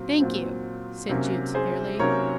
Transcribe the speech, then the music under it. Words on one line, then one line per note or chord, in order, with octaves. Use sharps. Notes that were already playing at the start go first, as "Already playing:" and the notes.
"Thank you!" said Jude severely.
Already playing: A#2 F#3 C4
A#2 F#3 C4
C3 F#3 A#3 C#4
G#4 C5
C3 F#3 A#3 C#4 A#4 C#5